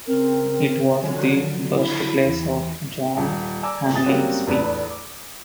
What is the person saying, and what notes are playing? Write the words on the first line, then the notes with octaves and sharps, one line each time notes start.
It was the birthplace of John Hanning Speke.
C#3 C4 A#4
D3 F3 F#3 C#5
E4
E2 E3
D#1
D5 G#5 A#5 D6 E6
G#5 D#6 A6 G7
F#3 G3 A#3 C4 C#4 F#4
F1 E2 A2 D4 B4 D5
D6